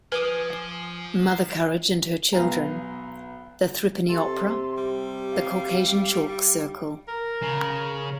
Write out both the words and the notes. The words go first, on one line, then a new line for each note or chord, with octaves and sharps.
"Mother Courage and Her Children", "The Threepenny Opera", "The Caucasian Chalk Circle".
F3 B4 G#5 D6 D#6
B1 B3 F5 G#5 A#5
C3 A4 C6
G3
F5
A#4
C#3